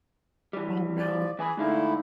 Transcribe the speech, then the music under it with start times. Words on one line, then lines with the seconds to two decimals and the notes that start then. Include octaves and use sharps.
Oh, no.
0.53 E3 G3
0.99 F3 D5
1.39 E3 G#4 G#5 B5
1.57 D3 G#3 A3 D#4 E4 F5